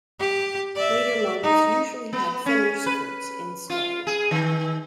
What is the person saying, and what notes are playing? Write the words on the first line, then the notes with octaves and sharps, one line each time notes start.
Later models usually had fender skirts installed.
G4
D5 E5
D#4
B3
C#4
B4
F4
G#4
D#3